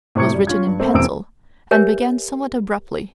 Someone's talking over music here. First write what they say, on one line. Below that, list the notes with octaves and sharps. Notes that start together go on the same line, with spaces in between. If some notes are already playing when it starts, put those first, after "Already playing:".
It was written in pencil, and began somewhat abruptly.
A2 C3 C4 C#6 G#6 C#7
F#2 G3
C#4 F4 G#6
G2
A3 A#3 C4
E1 A1 A#3 C4 E6 D7
G4 A#4 B4 C#5 E5 G#5